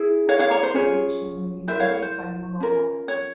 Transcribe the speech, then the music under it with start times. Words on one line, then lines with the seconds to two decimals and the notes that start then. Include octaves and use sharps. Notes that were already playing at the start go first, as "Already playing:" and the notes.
This oxidation may be relieved by neuromelanin.
Already playing: E4 G#4
0.29 C#5 F5
0.39 C#5 F5
0.51 C#5
0.63 C5
0.74 C#4 F4 G#4 C#5
1.68 E4 A#4 C5 E5
1.80 C#5 F5
1.91 C#5
2.02 C5
2.60 C#4 F4 A#4
3.08 C#5